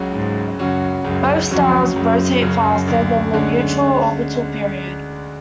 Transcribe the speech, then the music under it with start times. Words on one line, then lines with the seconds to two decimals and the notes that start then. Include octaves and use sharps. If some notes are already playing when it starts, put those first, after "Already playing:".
Both stars rotate faster than their mutual orbital period.
Already playing: C#2 C#3 F#3 C#4 F#4
0.13 C#2 G#2
0.59 F#2 C#3 F#3 C#4 F#4
1.04 C#2 F#2
1.50 F2 C#3 F#3 C#4 F#4
1.96 C#2 F#2
2.42 C#3 F#3 C#4 F#4
2.87 D2
3.33 D3 G#3 C#4